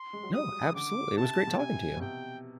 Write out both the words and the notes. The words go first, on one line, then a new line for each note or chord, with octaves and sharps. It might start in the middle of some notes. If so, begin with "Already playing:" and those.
No, absolutely, it was great talking to you.
Already playing: C6
G#3
F#3
G3 D#6
C#3
D3 D6
C3 A5
B2
C3 G#5
B2
C3 G5